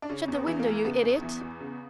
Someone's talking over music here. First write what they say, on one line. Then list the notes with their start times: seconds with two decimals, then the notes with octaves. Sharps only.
Shut the window, you idiot!
0.02 D4
0.09 C#3 C#4
0.28 E2
0.35 B3
0.47 E3
0.60 A#3
0.66 E2
0.84 C#3 B3
1.03 E2
1.22 E3
1.41 E2
1.61 C#3